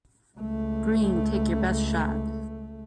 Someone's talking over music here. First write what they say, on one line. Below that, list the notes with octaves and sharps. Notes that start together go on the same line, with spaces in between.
Green, take your best shot.
C#2 A3